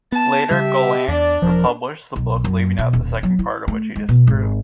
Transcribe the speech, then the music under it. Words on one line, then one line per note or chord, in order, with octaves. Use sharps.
Later Gollancz republished the book leaving out the second part of which he disapproved.
B3 A5
C#3 G3 G4 E5
E2 D4 D5
E1 F3 A#4
B1
F#2
B2
D#1
F#3
E4
A3
G#3
B2
G#1